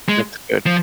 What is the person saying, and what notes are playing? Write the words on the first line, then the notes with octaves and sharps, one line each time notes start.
That's good.
G#3
F3